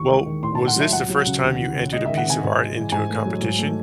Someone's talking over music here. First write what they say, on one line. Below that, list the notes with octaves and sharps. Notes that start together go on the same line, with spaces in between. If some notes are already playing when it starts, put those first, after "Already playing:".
Well, was this the first time you entered a piece of art into a competition?
Already playing: D#2 E3 C#6
G#3
D#3
A2 C6
A5
A3
F#5
F#3 E5
C#2 F#5
F#3
C#3
D#2
E3
C#3
G#3 D#5
D#3 E5
F#5
C3 G#5
G#2
G#3
E3
G#2 G#5
A3
F#3
G#2
A3